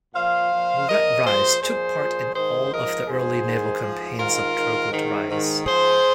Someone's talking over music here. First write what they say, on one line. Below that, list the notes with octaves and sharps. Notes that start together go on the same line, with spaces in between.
Murat Reis took part in all of the early naval campaigns of Turgut Reis.
A#2 F3 C5 F5
A#2 F3
A#2 F3 A#4 D#5
A#2 F3 G#4 C5
A#2 F3 G#4 C5
A#2 F3
G#2 D#3 G#4 C5
G#2 F3 A#4 D#5
G#2 F3 G#4 C5
G#2 D#3
G#2 F3
G#2 D#3 F4 A#4
G#2 D#3
G#2 D#3
G#2 D#3
G#2 F3 G#4 C5